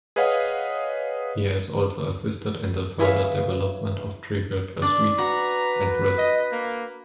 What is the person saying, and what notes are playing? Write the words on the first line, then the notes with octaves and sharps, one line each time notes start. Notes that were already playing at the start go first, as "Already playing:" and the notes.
He has also assisted in the further development of "Trivial Pursuit" and "Risk".
G#4 B4 C#5 D#5 F5 F#5
E4 G#4 B4 C#5 E5 F5
D4
F#4 B4 A#5
D#5
A#3